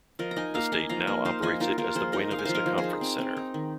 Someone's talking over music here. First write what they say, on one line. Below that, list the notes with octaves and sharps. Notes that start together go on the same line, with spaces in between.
The state now operates it as the Buena Vista Conference Center.
F3 A#4 D#5
A#5
D#4 D#5 G#5
A#3 F5 A#5
D#4 D#5 G#5
F3 F5 A#5
A#3 D#5 G#5
D#4 C5 F5
F3 D#5 G#5
D#4 F4 A#4
D#4 F4 A#4
F3 G#4 C5
D#4 A#4 D#5
D#4 F5
G#5
F3 C5 F5
A#4 D#5
F3
G#4 C5
D#4
C4
C4
D#4
D#3